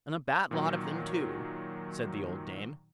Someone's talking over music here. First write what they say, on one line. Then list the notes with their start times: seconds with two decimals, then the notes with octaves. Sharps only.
And a bad lot of them too', said the old dame.
0.51 A#2 D#3 F#3